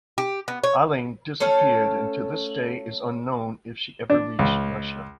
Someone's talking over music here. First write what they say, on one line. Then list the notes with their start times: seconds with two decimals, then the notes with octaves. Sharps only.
Alling disappeared and to this day it is unknown if she ever reached Russia.
0.18 G4
0.48 B3
0.64 C#5
1.40 A3 C#4 A4 F5
4.10 D4
4.39 C#2